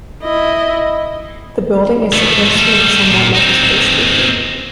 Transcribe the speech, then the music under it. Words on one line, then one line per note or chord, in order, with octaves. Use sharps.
The building is supposed to look somewhat like a space station.
E4 D#5
F3 A3
G3 A4
A#2
C4 D#4